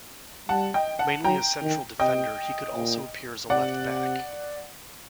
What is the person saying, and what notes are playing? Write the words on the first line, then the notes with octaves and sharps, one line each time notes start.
Mainly a central defender, he could also appear as a left back.
G3 F#5 A5
D#5 G5
F#5 A5
F#3 G5 A#5
D#3
C3 D#5 G5
A#2
C3 D5 F#5